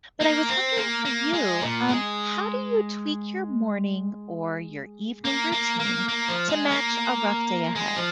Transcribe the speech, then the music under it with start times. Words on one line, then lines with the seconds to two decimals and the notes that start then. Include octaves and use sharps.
but I was wondering for you, um, how do you tweak your morning or your evening routine to match a rough day ahead?
0.21 A#3
0.49 C4
0.77 A#3
1.05 A#3
1.33 G#3
1.61 A#2
1.89 G#3
5.25 A#3
5.52 A#3
5.80 A#3
6.09 A#3
6.29 F3
6.50 G#3
6.70 A#3
7.76 G#3
7.96 F3